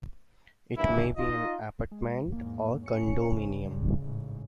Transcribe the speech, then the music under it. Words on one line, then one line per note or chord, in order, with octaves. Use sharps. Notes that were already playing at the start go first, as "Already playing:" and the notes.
It may be an apartment or condominium.
G2 E3 A#3 D4 E4
D#4 F4 D#5
G#3
E2 G#2 A#3
C#4 C#7
C#3
G2
A1 G#2